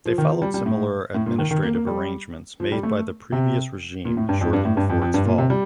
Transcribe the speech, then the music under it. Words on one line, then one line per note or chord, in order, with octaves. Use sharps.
They followed similar administrative arrangements made by the previous regime shortly before its fall.
F3
D#3
F3
G3
G3
A2
A2
A#2
D#3
D#3
A#3
A#3
G3
F3
G3
A3
C3
A#2
A2
G2
F2
G2
A2
G2
F2
F2
G2
A#2
C3
G3